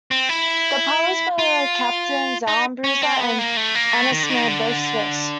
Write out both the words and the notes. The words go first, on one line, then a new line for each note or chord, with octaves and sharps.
The pilots were Captains Armbruster and Ansermier, both Swiss.
C4
E4
F4
D#4
C#4
C4
B3
A#3
A3
A#3
A3
D#3
D3
D#3
D3